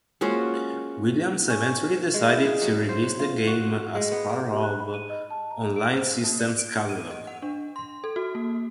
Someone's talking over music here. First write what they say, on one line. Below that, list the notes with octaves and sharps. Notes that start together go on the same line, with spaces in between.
Williams eventually decided to release the game as part of On-Line Systems' catalog.
G#3 A#3 C#4 F4 F#4 C5
C#4
G#3
E4
G#4
F#3
C5
F#3
F4
F#4
G#3
B3
A#4
G4
F#6
B5
D#7
D#5
A5
A#5
D7
C5
A#3
D5
D7
D#7
D#5
F#5
D4
C6
A4
F#4
A#3